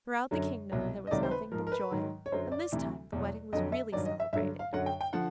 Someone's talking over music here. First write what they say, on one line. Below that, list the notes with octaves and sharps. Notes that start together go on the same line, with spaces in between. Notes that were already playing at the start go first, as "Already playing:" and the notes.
Throughout the kingdom there was nothing but joy; and THIS time the wedding was REALLY celebrated.
F#2 D3 F#3
C2 B2 F#3
D#5
C#2 C3 D#3 F#3 D5
C5
B4
G#2 F3 A#4
A#4
B4
G#2 D#3 F#3
C#5
F#2 D3 F#3 C5
D5
D2 C3 E3
E2 B2 F#3
F2 D3 F#3 D#5
E5
G2 D#3 F#3 D5
D#5
E5
G2 D3 F#3 E5
F5
F#2 D3 F#3 F#5
G5
G5
D3 F3 F#5